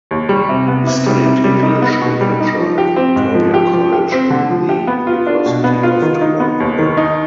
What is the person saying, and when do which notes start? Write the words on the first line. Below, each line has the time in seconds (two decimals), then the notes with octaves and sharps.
He studied English literature at Victoria College in the University of Toronto.
0.11 D#2
0.29 G3
0.49 C3
0.68 B3
0.87 C3
1.06 G3
1.26 C3
1.44 G3
1.63 D#4
1.82 B3
2.01 B2
2.21 G3
2.40 D#4
2.59 F3
2.78 G4
2.96 C4
3.16 G#2
3.35 F3
3.54 G4
3.74 F3
3.92 G4
4.12 C4
4.30 D3
4.50 F3
4.69 G4
4.87 B3
5.07 F4
5.27 D4
5.46 B2
5.64 B3
5.83 F4
6.02 D#3
6.21 D#4
6.40 B3
6.60 D#2
6.79 D#3
6.97 D#4